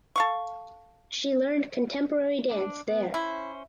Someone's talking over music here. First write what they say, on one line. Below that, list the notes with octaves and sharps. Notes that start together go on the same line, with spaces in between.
She learned contemporary dance there.
A4 F5 C#6
D4
B3
C#4 E4 C5